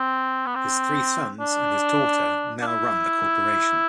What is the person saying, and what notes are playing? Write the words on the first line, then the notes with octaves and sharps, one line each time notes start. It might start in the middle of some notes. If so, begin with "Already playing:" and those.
His three sons and his daughter now run the corporation.
Already playing: C4
B3
C4
D4
D4
E4